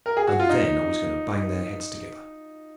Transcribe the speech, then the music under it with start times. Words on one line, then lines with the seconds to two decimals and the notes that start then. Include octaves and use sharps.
And then I was going to bang their heads together.
0.06 A#4
0.17 G#4
0.27 F#4
0.40 F4
0.49 D#4